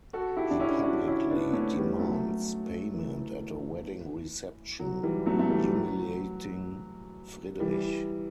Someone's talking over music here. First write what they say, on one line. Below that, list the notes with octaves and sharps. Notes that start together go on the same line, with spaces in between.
He publicly demands payment at a wedding reception, humiliating Friedrich.
F#4 A4
E4 G4
D4
C#4 E4
D4 F#4
C#4 E4
B3 D4
A3 C#4
G3 B3
F#3 A3
E3
F#3
E3 G3
F#3 A3
A3
E3 G3
F#3
E3 G3